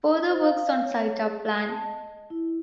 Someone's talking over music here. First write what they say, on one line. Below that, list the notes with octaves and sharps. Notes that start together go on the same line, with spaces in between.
Further works on site are planned.
C5
F5
C#5
G#4
A5
D#5
E4